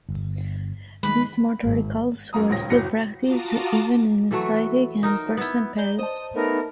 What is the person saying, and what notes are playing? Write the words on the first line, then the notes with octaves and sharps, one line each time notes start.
These mortuary cults were still practiced even in Saitic and Persian periods.
G1
D#3 G#3 B4
G#1
F#2 A#3 A#5 D#6
D#1 C#2 C#4 A#6
F#1 A2 F#3 A#6 C#7
F4 F#4 A5 A#5 D6 D#6
E3 F#3 A3 F#4
D#4 A#4
B3 E4
D5 A#5 G6
C5 D#5 A5 D#6
A3 B3 D#4 A#4